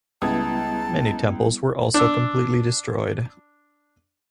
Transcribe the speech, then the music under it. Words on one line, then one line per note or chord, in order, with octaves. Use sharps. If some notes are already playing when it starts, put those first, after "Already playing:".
Many temples were also completely destroyed.
C#2 G3 B3 E4 A5 D#6 G#6
D4 E6